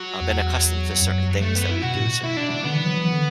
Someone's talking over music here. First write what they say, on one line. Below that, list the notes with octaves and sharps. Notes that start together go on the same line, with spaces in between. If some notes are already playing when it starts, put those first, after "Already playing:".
uh, been accustomed to certain things that we do, certain s
Already playing: F#3
E2
E2
F#2
A3
B3
E4
B2 F#4
A2
B2
E4
D4
D4
D3 B3
E3
F#3
E3
E3
D3